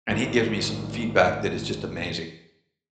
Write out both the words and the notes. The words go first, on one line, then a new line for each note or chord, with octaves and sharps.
And he gives me some feedback that is just amazing.
A#1 A2 D#3